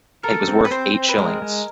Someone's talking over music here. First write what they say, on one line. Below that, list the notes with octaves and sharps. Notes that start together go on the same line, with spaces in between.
It was worth eight shillings.
A4 A#4
C4
B4
C4 C5
C4
B4
G#3 A#4
G#3